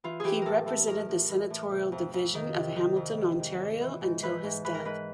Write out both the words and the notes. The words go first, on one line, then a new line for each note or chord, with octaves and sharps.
He represented the senatorial division of Hamilton, Ontario, until his death.
E3 F4
E3 G4 G#4
A2 A4 A#4
E3 A4
A2 A#4
A2
E3
A2
C3
F2
F2
D#3
C3
D#3
F2
C3
G#2
G#2
E3
G#2
E3 B4
G#2
G#2 B4
A#4
G#2 B4